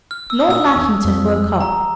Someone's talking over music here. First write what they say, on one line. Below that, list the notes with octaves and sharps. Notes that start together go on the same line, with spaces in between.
Lord Lackington woke up.
F6
E6
D#6
A#2 E6
E2
F2
A#5